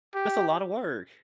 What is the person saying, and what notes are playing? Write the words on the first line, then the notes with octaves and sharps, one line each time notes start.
That's a lotta work.
G4